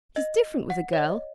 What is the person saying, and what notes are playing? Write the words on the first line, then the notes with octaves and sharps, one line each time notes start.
It is different with a girl.
D#5
F#5
C#5
D#5